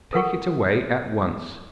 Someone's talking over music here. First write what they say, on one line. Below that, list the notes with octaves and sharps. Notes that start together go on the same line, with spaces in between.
'Take it away at once!'
A4 A#4 F#5 C#6